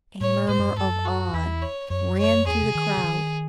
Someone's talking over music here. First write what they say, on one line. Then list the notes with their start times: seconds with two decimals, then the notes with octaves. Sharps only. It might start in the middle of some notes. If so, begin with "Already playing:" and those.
A murmur of awe ran through the crowd.
0.21 A2 C#5
0.49 A2 C5
0.58 F#2
0.68 G#2
0.78 F#2 A4
1.05 F#4
1.34 E2 E4
1.62 C#5
1.90 F#2 C#5
2.18 C#5
2.46 E2 G#4
2.61 C3
2.75 D#3
2.97 C#3
3.04 D#3